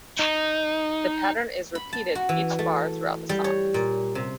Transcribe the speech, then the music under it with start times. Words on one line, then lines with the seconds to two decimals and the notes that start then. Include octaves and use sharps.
The pattern is repeated each bar throughout the song.
0.19 D#4
1.75 B5
1.93 A5
2.15 F#4
2.29 E3
2.59 A3
3.29 G3
3.44 C#5
3.74 A#2
4.15 C3